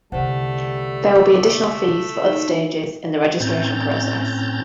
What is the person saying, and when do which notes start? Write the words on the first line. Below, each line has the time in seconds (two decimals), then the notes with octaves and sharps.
There will be additional fees for other stages in the registration process.
0.12 C2 D3 G3 A3 A4 C5 F#5
1.34 D6
2.25 D#4 F#4 G7
3.40 A2 C4 C#4 A#5 G6 A6